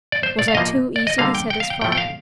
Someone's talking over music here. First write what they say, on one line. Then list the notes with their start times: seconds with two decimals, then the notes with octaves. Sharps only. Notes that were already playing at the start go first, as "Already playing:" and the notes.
Was I too easily satisfied?
0.12 D5
0.23 C5
0.39 D5
0.48 F5
0.54 A2 F3 A#3 D#5
0.96 D5
1.07 D#5
1.18 D3 G3 A#3 F5
1.35 G5
1.50 G5
1.60 F5
1.70 G5
1.81 A2 F3 A3 G5
1.92 G5
1.97 F5